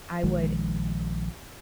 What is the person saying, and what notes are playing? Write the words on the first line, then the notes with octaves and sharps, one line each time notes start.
I would
A#1 D#3 F3 G#3